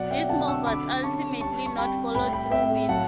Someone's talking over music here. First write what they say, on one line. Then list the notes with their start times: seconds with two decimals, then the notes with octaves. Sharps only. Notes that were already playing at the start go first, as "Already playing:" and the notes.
This move was ultimately not followed through with.
Already playing: B2 F#3 D5 F#5
0.11 E5 G5
0.29 D3 F#5 A5
0.48 C#6 E6
0.66 D3 B5 D6
1.03 C#4 A5 C#6
1.40 G3 A5 C#6
1.66 C#6
1.77 G3 G5 B5
2.14 A2 G5 B5
2.33 G5 B5
2.51 A2 E5 G5
2.89 F#3 F#5 A5